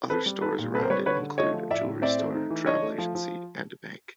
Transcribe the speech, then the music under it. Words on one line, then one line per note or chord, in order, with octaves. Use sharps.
Other stores around it include a jewelry store, travel agency and a bank.
C4 A4 B4
G3
D#4 A4 B4
A#2
C4 A4 B4
A#4 C5
G3 B4 C#5
D3 B4 C#5
D3
A3 C#5 D#5
F3
A2 D5 E5
A2
C4 D5 E5
A3
D#4
E3
D4 C#5 D#5
A3
F3
F3